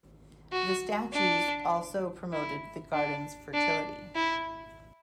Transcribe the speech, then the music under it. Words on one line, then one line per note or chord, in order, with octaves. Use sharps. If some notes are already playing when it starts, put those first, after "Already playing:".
The statues also promoted the gardens' fertility.
F#4
D4
E4
D4
D4
E4